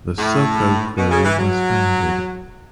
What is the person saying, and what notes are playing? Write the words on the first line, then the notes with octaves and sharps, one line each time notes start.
The Soko Crew was founded.
A2
B2
C#3
E3
F#3